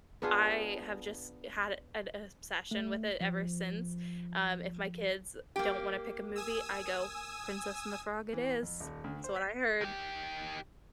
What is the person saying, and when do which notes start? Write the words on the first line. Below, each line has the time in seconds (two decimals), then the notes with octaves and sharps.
I have just had an obsession with it ever since, um, if my kids don't wanna pick a movie, I go, "Princess and the Frog it is." That's what I heard.
0.22 B3 D4 F4 G#4
2.71 A3
3.21 F3
5.56 A#3 G4
6.36 G#5 D#6 E6
8.33 E3
8.63 F2
8.80 D#1
9.04 D2
9.24 C5
9.36 B6
9.81 D#3 G4